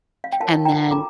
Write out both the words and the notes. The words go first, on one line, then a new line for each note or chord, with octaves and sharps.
and then,
F5
G5
F4 A#4 C#5 F5 A5
G5 A#5
D4 F4 A4 A#5 D6